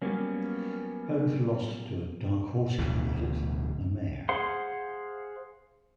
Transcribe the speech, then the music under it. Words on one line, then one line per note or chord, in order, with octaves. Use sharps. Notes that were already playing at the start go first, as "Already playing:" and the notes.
Both lost to a "dark horse candidate": a mare.
F#3 G3 A#3 B3 C#4
D1 D2 B2 E3
G#4 C5 F5 F#5 C6